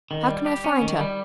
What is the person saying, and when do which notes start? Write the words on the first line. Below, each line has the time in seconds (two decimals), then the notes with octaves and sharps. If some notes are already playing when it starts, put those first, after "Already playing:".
"How can I find her?"
0.11 D#3
0.28 G3
0.46 G4
0.64 C#4
0.81 D#3
0.99 G3